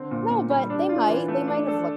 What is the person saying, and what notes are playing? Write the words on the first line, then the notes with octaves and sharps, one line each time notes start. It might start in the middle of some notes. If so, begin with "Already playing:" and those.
No, but they might they might’ve look
Already playing: D3 C4
A#2
A#2
G3
D4
F4
E3
A3
D4
A4